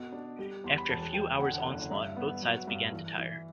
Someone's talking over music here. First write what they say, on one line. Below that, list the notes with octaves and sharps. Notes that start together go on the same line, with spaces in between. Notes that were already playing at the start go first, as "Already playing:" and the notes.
After a few hours' onslaught, both sides began to tire.
Already playing: B2
D4
G3
E2 C6
B5
E1 A5
E1 G5
D3 F#5
F#1
G2 E5
B3
F#3
G2
E3
E3